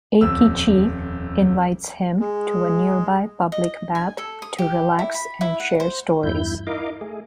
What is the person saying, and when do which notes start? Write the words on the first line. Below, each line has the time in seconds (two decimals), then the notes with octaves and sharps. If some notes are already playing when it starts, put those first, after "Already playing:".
Eikichi invites him to a nearby public bath to relax and share stories.
0.21 D#1 F2 E6
2.21 G#3 G#4
3.52 D#5
3.95 G#5
4.18 A4
4.42 D#6
4.58 G4
4.99 E4
5.14 B5
5.41 E4
5.60 F#5
5.80 C5
6.23 E2 G2 E4 G6
6.67 D#4 E4 A#4 D#5 F5 D6
7.01 A3 G#4